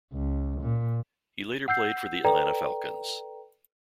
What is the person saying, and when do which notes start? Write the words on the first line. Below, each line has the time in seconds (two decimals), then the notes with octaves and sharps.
He later played for the Atlanta Falcons.
0.13 C#2
0.61 A#2
1.68 F#5 E6 G6 C7
2.25 A4 B4 D5 G5 A#5